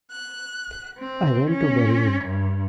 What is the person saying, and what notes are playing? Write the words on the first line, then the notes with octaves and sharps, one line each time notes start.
I went to bury him.
F#6
C4
C#4
G2